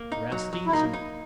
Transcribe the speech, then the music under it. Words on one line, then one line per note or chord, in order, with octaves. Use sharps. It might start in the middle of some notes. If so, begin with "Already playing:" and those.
"Rest easy."
Already playing: A#3
D#4
F#3
F#3
E4
A#3 D#4
D#4